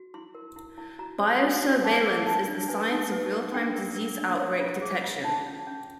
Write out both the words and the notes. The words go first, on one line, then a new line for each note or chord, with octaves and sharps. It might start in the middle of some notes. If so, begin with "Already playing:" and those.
Biosurveillance is the science of real-time disease outbreak detection.
Already playing: F#4
E4 C6
A#4
E4
E4
F#4 A#5
C#5
F#4
F#4
G#4 A5
G#4
F4 A5
D4
B4 G#5
D#4
B4
G4
D4 G5
A#4
A#4
D4
C#5
F4
G#4
F4
F4 A5
C#4
C#4